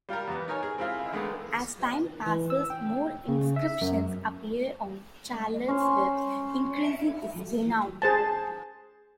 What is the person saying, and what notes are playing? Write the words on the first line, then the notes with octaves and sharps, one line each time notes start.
As time passes, more inscriptions appear on Charlotte's webs, increasing his renown.
G3 F4 G4 A#4
E2 B3
D#4 A#4 C#5 G#5
G#4 A#4
C4 E4 F4 G#4
D3 D#3 G#3 A3 B3 D#6
E3
E6
G5
C#3
E5
F#2
C#4 C5
G#4 C5 A5